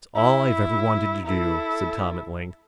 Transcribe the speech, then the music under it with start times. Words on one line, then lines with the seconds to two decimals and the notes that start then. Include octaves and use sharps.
"It's all I've ever wanted to do," said Tom at length.
0.15 E4
1.26 E4 A4